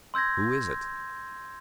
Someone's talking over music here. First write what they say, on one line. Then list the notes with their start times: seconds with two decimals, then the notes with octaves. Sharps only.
"Who is it?"
0.14 C6 E6 G6 G#6 A#6